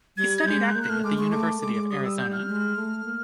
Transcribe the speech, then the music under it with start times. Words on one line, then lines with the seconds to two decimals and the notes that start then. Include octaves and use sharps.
He studied acting at the University of Arizona.
0.17 G3 G#6
0.37 G#6
0.46 G#3 G6
0.65 F#6
0.75 A#3 G6
0.82 F#6
0.89 A3 F6
1.04 G#3 D6
1.18 G#3 C#6
1.32 A3 D6
1.61 G#3 D6
1.91 G3 D#6
2.04 E6
2.18 G6
2.32 F6
2.48 G#3
2.76 A3
3.05 A#3